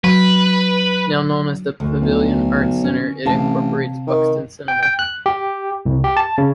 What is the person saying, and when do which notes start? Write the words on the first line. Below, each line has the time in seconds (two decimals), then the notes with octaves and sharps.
Now known as The Pavilion Arts Centre it incorporates Buxton Cinema.
0.04 F#3 B4
1.80 D2
2.01 B1
2.84 C#4
3.25 A1 C3 F5 A5
4.07 D#3
4.68 G5
4.83 G5
4.99 F#6
5.26 G4
5.86 C2
6.04 G4
6.17 A5
6.38 C#3